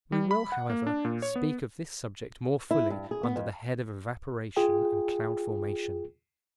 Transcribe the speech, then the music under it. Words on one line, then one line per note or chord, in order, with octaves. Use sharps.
We will, however, speak of this subject more fully under the head of evaporation and cloud formation.
G3
B5
F#5
A#3
D4
A#2
C#5
B3
E4
G2
G#4
B3
F2
F4 G#4 G5